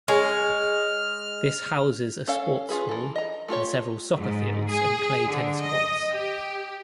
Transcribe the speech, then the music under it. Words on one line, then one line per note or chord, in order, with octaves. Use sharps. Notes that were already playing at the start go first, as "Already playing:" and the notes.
This houses a sports hall and several soccer fields and clay tennis courts.
G#3 G#4 C#5 F6
C#4 A4 C#5 F5
C#4 F4 G#4 B4
E3 A4
D#5 A#5
A3 F4 G4 C#5
G#2
G#4
D3
D#5
G4